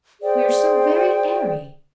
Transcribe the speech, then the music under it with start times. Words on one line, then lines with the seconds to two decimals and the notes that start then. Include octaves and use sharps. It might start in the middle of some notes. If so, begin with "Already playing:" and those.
We are so very airy!
0.22 G#4 C5 D5 G5